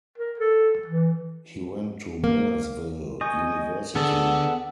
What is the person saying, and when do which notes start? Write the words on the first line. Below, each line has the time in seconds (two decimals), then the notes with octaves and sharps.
He went to Millersville University.
0.18 A#4
0.39 A4
0.87 E3
2.24 A#3
3.21 D#5 G#5 C#6 G6
3.95 D3 B3 G#4 A4 D5 F#5